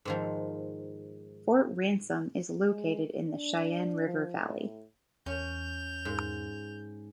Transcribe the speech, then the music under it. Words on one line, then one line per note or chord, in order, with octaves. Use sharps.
Fort Ransom is located in the Sheyenne River valley.
G#2 D#3 F3
G#3
D4
F3
A2
E2 C#4 G6 F7
G#2